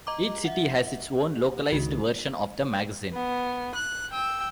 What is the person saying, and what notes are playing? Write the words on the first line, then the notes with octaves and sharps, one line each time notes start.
Each city has its own localised version of the magazine.
D#5 A#5 D6
E5 F#5
C#2 D#3 F#4
B3
F#6
G5 E6